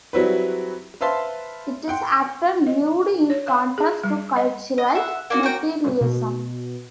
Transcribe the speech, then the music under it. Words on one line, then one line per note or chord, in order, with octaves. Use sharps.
It is often viewed in contrast to cultural materialism.
F#3 G3 C4 E4 F#4 B4
B4 C5 E5 F5 A5 C6
F#5 G5 C6
D#5
C#5
F5
G#4
G3
D#5
D#5
E5 F#5
A#3 D4 F#4
F#4 A#4 G5
B2